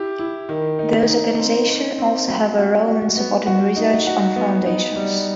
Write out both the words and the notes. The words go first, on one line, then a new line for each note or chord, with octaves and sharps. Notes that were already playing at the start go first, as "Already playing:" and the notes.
Those organization also have a role in supporting research on foundations.
Already playing: E4 G4
E4
D#3
D#4
D#4
C4
D#4
C4
F#3
F#4
F#4
B3
F#4
D#4
F#4
B3
D#4
G3